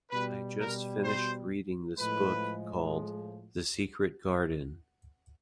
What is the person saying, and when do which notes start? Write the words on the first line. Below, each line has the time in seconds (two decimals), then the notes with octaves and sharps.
I just finished reading this book called "The Secret Garden."
0.11 B2 G3 B4
0.59 A#4
1.04 C5
1.98 A2 F3 G#3 B4